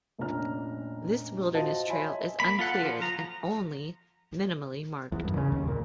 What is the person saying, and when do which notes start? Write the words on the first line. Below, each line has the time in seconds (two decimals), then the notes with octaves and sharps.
This wilderness trail is uncleared and only minimally marked.
0.18 F1 A#2 C#4 D4 A#5 F6
1.54 F4 F#4 C5 D#5 A5
1.89 C#5 D#5 E5 G#5 B5 C6
2.40 A#3 B5
2.59 F4 A4 F#5
2.82 F3 F4
3.01 F3 A#5
5.12 E2
5.25 G2
5.37 C#3
5.52 D#2
5.68 A#2